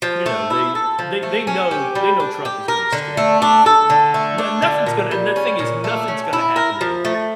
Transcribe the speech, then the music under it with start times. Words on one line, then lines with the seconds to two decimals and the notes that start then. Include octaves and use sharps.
you know, they they they know they know Trump is gonna skate anything. No nothing's gonna and the thing is, nothing's gonna happen to anybody.
0.02 F3
0.26 A3
0.50 E4
0.75 A4
0.99 F3
1.23 A3
1.47 C#4
1.71 G4
1.95 G3
2.20 D4
2.45 G4
2.68 A#4
2.93 D3
3.17 A3
3.42 D4
3.66 A4
3.90 D3
4.14 A3
4.38 D4
4.62 D3
4.86 A#2
5.11 G3
5.36 C#4
5.59 A#2
5.84 A3
6.08 C#4
6.33 E4
6.56 A#4
6.81 F3
7.05 A3